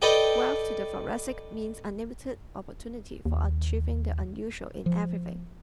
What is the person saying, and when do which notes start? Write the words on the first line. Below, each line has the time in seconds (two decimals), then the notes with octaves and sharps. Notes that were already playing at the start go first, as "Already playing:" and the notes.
Wealth to the Thoracic means unlimited opportunity for achieving the unusual in everything.
0.02 A4 B4 D5 D#5 G5
3.25 D#2
4.86 F3